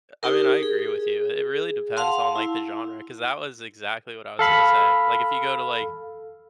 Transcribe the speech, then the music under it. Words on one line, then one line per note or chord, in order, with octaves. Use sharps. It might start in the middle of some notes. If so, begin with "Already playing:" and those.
uh, I mean, I agree with you. It really depends on, like, the genre 'cause that was exactly what I was gonna say, like, if you go to, like,
D#4 G4 A#4
G#4
F5 F#5 A5 C6
E4
A4 F5 B5